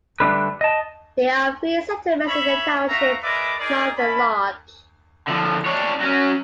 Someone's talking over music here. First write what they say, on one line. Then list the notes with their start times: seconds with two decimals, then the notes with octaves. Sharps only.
There are three settlements in the township, none of them large.
0.20 D3 G3 A3 D4 A#4 B4
0.61 D#5 A5
2.27 C#5 E5 B5
2.89 A3 F#4 E5 F5 A#5
3.23 G#3 A#4 B4 D5 E5 D6
3.59 D#4 G#4 A#4 D5
3.97 C#4 E4 A5 B5
5.28 D3 F3
5.66 D4 C#5
6.00 F#3 C#4